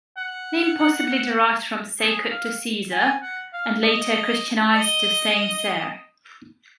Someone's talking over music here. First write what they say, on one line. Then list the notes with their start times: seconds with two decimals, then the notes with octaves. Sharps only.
Name possibly derived from "Sacred to Caesar" and later Christianized to "Saint-Cere".
0.17 F#5
2.00 G#4
2.31 F5
2.92 G#5
3.22 F#5
3.53 F5
3.84 D#5
4.75 D#5